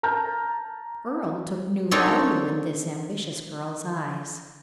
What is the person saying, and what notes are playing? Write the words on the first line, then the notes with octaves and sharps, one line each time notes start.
Earle took new value in this ambitious girl's eyes.
A5 A#5 F6 G6
C4 D4 D#4 A4 A#4 C#5